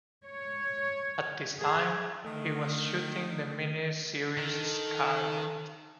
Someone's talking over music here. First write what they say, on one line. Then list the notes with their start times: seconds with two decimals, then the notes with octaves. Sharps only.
At this time, he was shooting the mini-series "Scarlett".
0.24 C#5
1.58 G#4
2.25 D3 D#3 A3
4.37 D#3 A4